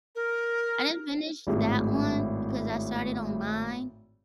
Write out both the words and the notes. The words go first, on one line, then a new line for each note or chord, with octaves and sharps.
I didn't finish that one because I started online,
A#4
G#1 A2 G#4